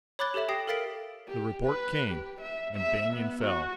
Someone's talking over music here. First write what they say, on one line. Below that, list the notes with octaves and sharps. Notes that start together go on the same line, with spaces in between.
The report came; and Banion fell.
C#5 B5 D6 F#6 A6 G7
G4 A4 C#5 E5 E7
G4 G5 D#6 A#6 C7
A4 A#4 F5 A6 B6 D7
G4
B4
G4
E5
E5
B3
F#4